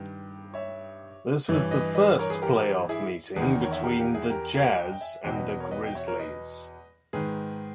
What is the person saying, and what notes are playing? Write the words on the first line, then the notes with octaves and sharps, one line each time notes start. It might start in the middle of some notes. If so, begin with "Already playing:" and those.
This was the first playoff meeting between the Jazz and the Grizzlies.
Already playing: G2 D#3 B4
C#5 E5
G2 E3 C#5 E5
B4 D#5
B4 D#5
A#4 C#5
G#4 B4
G4 A#4
E4 G#4
E2 D#3 G#4 B4
A#4 C#5
C#5 E5
G4 A#4
G4 A#4
E4 G#4
G4 A#4
G4 A#4
G#5
D#5 G5
G5
E5 G#5
E2 B2 D#5 G5
B4 D#5
B4 D#5
A#4 C#5
B4 D#5
D#5 G5
C#5 E5
A#4 C#5
B4 D#5
G#2 D#3 G#4 B4